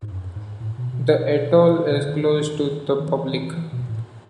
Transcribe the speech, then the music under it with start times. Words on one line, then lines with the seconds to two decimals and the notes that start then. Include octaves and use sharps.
The atoll is closed to the public.
0.02 G#2
0.11 F#2
0.35 G#2
0.60 A2
0.78 B2
0.93 B2
1.90 B2
2.00 C#3
2.09 D#3
3.00 D#3
3.08 E3
3.32 E3
3.57 E3
3.72 B2
3.89 A2